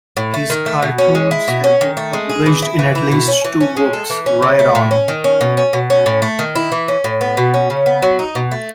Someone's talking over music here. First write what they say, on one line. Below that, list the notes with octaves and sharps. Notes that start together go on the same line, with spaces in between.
His cartoons have been published in at least two books: Wright On!
A2
A3
D#3
A3
B2
C#4
G#3
E4
B2
C#4
D#3
A3
G#3
G#4
E3
E4
E3
E4
B2
C#4
E3
C#4
G#3
A4
E3
C#4
C#3
A3
A2
C#4
D#3
C#4
B2
C#4
B2
C#4
A2
A3
D#3
E4
E3
C#4
A2
B3
B2
C#4
C#3
B3
F#3
D#4
B2
A3